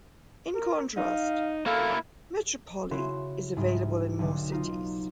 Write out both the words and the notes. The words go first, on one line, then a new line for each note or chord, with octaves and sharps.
In contrast, "Metropoli" is available in more cities.
A#4
D#4 F5
A#3 E4 A4 F5
C#3 E4 F#4 C6 E7
C2 G#2
B1 D3
D#4 F4